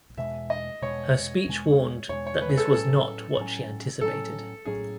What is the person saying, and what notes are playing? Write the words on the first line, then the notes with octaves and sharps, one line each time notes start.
Her speech warned that this was not what she anticipated.
E2 B2 G#3 E5
D#5
E2 B2 G#3 C#5
E2 B2 G#3
E2 B2 G#3 C#5
C#5
B4
G#4
A4
A2 F#3 C#4 A4
A2 F#3 C#4
A2 F#3 C#4 A4
A2 F#3 C#4 G#4